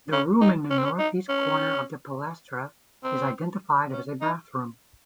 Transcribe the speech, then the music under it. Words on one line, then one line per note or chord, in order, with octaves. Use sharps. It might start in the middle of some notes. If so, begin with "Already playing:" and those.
The room in the northeast corner of the palaestra is identified as a bathroom.
C#4
D#4
C#4
C4
C#4
D#4
C#4
C4
C#4
D#4